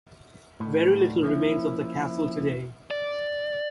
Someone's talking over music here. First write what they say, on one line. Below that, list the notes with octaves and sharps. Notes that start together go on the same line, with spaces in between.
Very little remains of the castle today.
A2 D3 D#3
F3 A#3 C#4 E4
D5